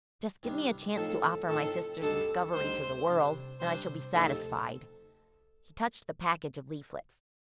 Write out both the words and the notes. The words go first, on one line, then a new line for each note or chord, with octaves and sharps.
"Just give me a chance to offer my sister's discovery to the world, and I shall be satisfied!" He touched the package of leaflets.
C2 C3 D#3 G3 D4
A2 F3 C4 D#4 A4
A2 F3 C4 D#4 A4
D2 D3 G3 C4 D#4 A4
D2 D3 G3 C4 D#4 C5
C3 G3 D4
C3 G3 D4 C5
D2 C3 F3 A3 D#4 A4